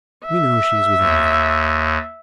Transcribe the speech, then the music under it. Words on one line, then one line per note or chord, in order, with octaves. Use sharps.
We know she is within there.
E5
D#2